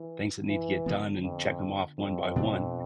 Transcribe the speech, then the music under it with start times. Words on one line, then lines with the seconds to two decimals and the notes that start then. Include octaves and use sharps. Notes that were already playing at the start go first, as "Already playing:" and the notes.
things that need to get done and check 'em off one by one
Already playing: E3
0.49 E3
0.86 D3 F3 B3
1.23 F2
1.99 F2
2.36 B2 B3 D4